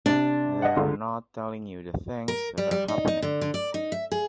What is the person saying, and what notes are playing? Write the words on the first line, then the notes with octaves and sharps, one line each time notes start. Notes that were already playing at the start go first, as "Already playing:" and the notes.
They are not telling you the things that are happening.
C3 D4
D#5 F#5
C#2 D3
A#4
G3
G3
D#4
D#4
D3
D3
D5
D#4
E5
G#4